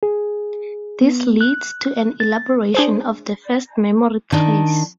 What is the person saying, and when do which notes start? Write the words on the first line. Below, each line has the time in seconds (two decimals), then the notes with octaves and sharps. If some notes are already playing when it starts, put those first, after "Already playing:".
This leads to an elaboration of the first memory trace.
0.03 G#4
1.01 B3
1.41 F#6
2.20 A6
2.74 D4 G#4 C5
4.32 D#3 D4